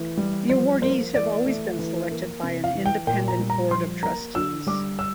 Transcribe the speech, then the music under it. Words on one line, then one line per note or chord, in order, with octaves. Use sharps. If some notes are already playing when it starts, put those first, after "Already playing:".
The awardees have always been selected by an independent Board of Trustees.
Already playing: E3 A3
G3
F3 C5
A#3 C5
E3 D5
A3
E3
A#3
C3
F5
E3
G5
A#2 G5
A#5
G3
A#5
F3 C6
A#3 A#5
D3 E6
G3 D6
E6